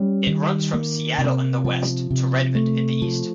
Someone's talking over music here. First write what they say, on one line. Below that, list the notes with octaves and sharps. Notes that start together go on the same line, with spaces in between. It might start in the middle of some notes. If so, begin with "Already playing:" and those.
It runs from Seattle in the west to Redmond in the east.
Already playing: G3 C#4
D#3
A#3
C3
F3
C3
A3
F3